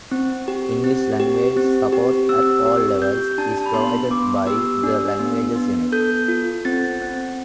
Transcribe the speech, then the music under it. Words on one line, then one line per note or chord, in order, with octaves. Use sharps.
English language support at all levels is provided by the Languages Unit.
C4
G4
C4
G4
C4
G4
C4 E6
G4
G4 G6
D4 A5
A5
B5
B3 C6
B3 D6
G4 E6
D4
B3
B3
A4 G6
F4
C4 A6
C4